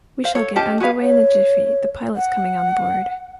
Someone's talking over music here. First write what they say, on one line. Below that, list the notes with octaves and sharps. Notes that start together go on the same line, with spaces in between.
We shall get underway in a jiffy, the pilot's coming on board.
C5 F5
A4 C#5
C#4 G4 D#5 A5
F#4 G#4 B4 F5
C#5
F#5